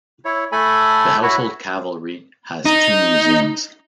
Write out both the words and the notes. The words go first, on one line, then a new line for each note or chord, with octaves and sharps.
The Household Cavalry has two museums.
E4 C#5
A3 A4 G#5 B5
E4 F#4 B4 C#5 E5
D#4